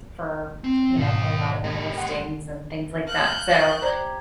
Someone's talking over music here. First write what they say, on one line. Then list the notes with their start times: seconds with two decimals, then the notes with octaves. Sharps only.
for, you know, a lot of their listings and things like that. So,
0.64 C4
0.97 G#2 B2 D#3 F5
1.64 G#3 G4
1.97 F#5 C6
3.08 F5 F#6 G6
3.48 C#6
3.82 G4 C5 D5 A#5 G#6